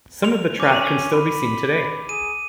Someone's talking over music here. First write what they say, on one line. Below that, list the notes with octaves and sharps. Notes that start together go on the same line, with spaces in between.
Some of the track can still be seen today.
C6 F7
C#4 D6 D#7
B5
G#4 D#7